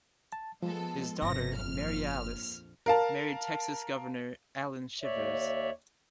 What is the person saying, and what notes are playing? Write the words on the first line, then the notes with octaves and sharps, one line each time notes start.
His daughter, Marialice, married Texas Governor Allan Shivers.
A5
F3 G#3 B3 A4
G1 C3 C#4 A#6
A#1 F2 F6
A#4 F5 A5
D#2 C#5 D5 E5